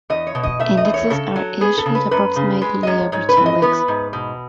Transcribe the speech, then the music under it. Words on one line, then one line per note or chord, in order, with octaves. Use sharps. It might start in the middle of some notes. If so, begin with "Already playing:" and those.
Indexes are issued approximately every two weeks.
E2 D#5
C#5
B2
D#5
A3 E5
D#5
E2
C#5
C#3 A4
F#3
B3 G#4
A4
C#3
B4
F#2 B4
C#3
G#3 B4
D#5
F#2 C#5
G#2 C#5
B4
E3
D#5
B3 B4
G#2
B2